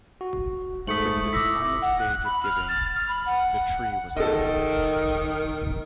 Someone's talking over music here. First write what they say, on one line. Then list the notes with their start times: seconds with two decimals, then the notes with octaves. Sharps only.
With this final stage of giving, "the Tree was happy".
0.21 F#4
0.87 G#2 A3 D#6 B6 C#7 F#7
1.33 E4 E5 D6 A#6 B6
1.82 F#5
1.99 F#6
2.24 B5
2.43 F6
2.68 A6
2.95 F6
3.08 B5
3.26 F#5
4.17 D#3 A4 D#5